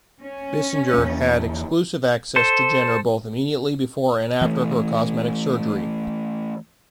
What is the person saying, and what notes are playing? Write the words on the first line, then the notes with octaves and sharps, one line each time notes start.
Bissinger had exclusive access to Jenner both immediately before and after her cosmetic surgery.
C#4
E2 A#3
A4 C5
E3 A3